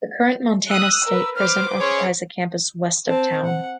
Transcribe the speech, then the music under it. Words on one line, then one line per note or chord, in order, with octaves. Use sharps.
The current Montana State Prison occupies a campus west of town.
D#6 E6 F#6
A#4 B4
B4 C5 D6 F6
C#4 G#4 C#5 C6
C4 A5
F#5